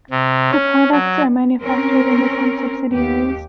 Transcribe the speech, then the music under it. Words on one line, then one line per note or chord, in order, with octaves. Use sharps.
The products are manufactured in different subsidiaries.
C3
C#4
F#3
C4 C#4 A#4
D#2 G4